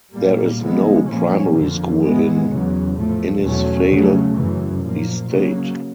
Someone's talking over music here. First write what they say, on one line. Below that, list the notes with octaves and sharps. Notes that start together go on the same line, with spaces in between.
There is no primary school in Innisfail Estate.
A#2 G3 A#3
D3 F3 G#3 B3
A#2 F3 A#3 C#4
F2 D3 F3 A#3
A2 E3 G#3 B3
E2 C#3 F#3
A2 F3 A3
E2 B2 F#3 A3 C#4
C#3 F#3 A3
F#2 C#3 E3
A#2 F3 A#3
C#3 F#3 A#3